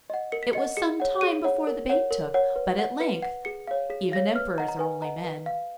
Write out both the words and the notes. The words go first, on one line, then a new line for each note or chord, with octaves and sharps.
It was some time before the bait took, but at length--even emperors are only men!
D#5 F#5
A#4 C#7
B6
D#5 F#5 C#7
G#4 C#7
C#5 F#5
G#4 D#7
C#5 F#5
A#4
C#5 F#5
A#4
C#5 F#5
B4
F#5
B4 C#7
F#5
G#4 C#7
C#5 F5
G#4 B6
C#5 F5 A#6
B4 F6
D#5 F#5 A#5
A#5
B4 G#5
D#5 F#5 A#5
B4
F5